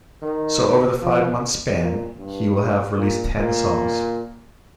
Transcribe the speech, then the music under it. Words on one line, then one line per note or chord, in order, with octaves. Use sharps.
So over the five-month span he will have released ten songs.
D#3
F3
A#2
G2
A#2
A#2